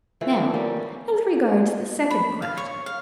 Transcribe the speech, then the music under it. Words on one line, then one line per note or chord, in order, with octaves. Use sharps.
"Now as regards the second question."
E3 F3 A3 E4
G3 A#3 C#4 G4
B5
F5
C#5
F5